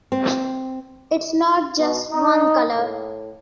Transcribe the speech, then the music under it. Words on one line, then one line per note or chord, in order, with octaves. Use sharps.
It's not just one color.
C4
B2
D#4
A2